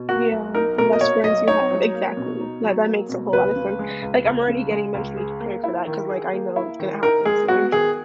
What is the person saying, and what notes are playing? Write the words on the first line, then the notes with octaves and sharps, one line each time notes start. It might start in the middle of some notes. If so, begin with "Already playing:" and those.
Yeah, the less friends you have Exactly. That that makes a whole lotta sense. Like, I'm already getting mentally prepared for that 'cause, like, I know it's gonna happen soon.
Already playing: B2
A#3 F#4
B1
D#4 A#4
B2 A#4
D#5
A#3 C#5
B1 D#5
D#4 C#5
F#3
A#3
B2
D#4
F#3
A#3
B2
C#2 B4
C#3
G#3
C#2
C#2
C#3
G#3
C#2
G#4
A#3
E4
D#3
G#4
A#3
E4
D#3
D#4 A#4
G#3 G#4
B3 F#4
D#3 G#4